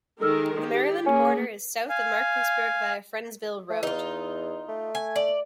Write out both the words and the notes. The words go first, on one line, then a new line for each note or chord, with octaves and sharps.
The Maryland border is south of Markleysburg via Friendsville Road.
D#3 G#3 A4 A#4 E6 F6
G4
A#3 C#4 G#4
F5 G#5
A3
E2 D#4 F4
A3
G#5
D5